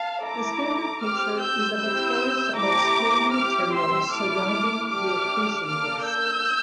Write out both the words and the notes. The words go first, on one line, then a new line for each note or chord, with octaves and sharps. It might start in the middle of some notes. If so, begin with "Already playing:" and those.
The standard picture is of a torus of obscuring material surrounding the accretion disc.
Already playing: F5 A5
A3 E4 A4 A#5 D6
C4 G4 D6 F6
E6 G6
C4 E4 G4 E6 G6
A3 C4 E4 G4 A#5 D6
C4 E4 G4 D6 F6
C6 E6
A3 E4 A4 D6 F6
A3 D4 G4 D6 F6
A#3 D4 A4 D6 F6
E6 G6